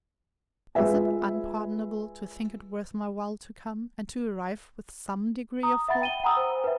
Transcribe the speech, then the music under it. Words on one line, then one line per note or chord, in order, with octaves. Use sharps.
Was it unpardonable to think it worth my while to come? and to arrive with some degree of hope?
G#3 F4 B4 E5 G#5
A#5 D#6
E5 F#5 B5 A6
G5 D#7 G7
F#5 G#5 A#5 B5 D#6 E6
C5
B4 E5